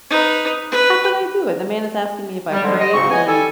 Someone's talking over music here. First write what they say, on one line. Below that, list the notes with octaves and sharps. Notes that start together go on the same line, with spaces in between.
How could I do it? The man is asking me if I prayed, eat,
D#4 B4
B4
G3
G#2 D3 F3 G3 G#3
D#5
D2 G#2 C#3 C4 C#6
A2 B3 D#5 G#5
G3 A4 G#5